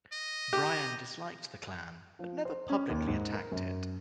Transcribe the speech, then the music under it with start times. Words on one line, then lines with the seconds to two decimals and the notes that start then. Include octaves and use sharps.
Bryan disliked the Klan but never publicly attacked it.
0.12 D#5
0.53 G4
2.19 F3
2.45 C5
2.69 C#4
2.90 D#2
3.08 G#2
3.34 A#4
3.52 F#2